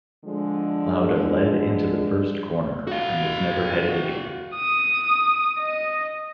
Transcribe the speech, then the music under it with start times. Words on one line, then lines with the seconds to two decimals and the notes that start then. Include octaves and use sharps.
Lauda led into the first corner, and was never headed again.
0.25 D3 F3 G#3
2.87 F#4 F5
4.56 D#6
5.59 D#5